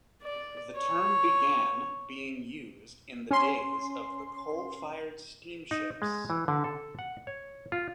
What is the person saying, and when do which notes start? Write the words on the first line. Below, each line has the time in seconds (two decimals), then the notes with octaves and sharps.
The term began being used in the days of the coal-fired steamships.
0.23 D5
0.76 C#5
3.31 C#4 C6
5.71 D#4
6.02 G#3
6.30 E3
6.48 D3
6.64 A4
6.99 F#5
7.27 C#5
7.72 F4